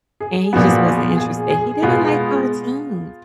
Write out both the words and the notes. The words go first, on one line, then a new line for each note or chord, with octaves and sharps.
and he just wasn't interested, he didn't like cartoons.
G#4
A#2 F3 B3 F#4
G#4
G#4
G#4
B2 G#3 B3 F4